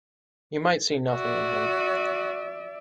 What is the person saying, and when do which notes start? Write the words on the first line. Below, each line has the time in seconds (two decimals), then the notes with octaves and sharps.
You might see nothing in him.
1.11 F#4 D5 E5